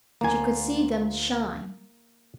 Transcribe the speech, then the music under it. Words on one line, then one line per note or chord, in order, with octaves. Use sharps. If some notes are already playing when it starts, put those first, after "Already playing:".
She could see them shine.
D2 A#3 F4 G#5